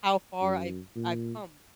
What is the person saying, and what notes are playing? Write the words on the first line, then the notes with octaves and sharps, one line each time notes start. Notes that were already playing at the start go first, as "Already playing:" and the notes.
how far I've I've come.
F#2
A#2